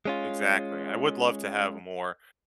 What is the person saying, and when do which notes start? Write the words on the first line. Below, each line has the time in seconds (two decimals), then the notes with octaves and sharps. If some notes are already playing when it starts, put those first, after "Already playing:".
Exactly. I would love to have more
0.05 G#3 C#4 F4